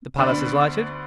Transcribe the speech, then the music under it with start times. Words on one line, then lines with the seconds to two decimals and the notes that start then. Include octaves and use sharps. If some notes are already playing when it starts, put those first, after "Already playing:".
The palace is lighted.
0.18 D2 D3 B3 D4 B4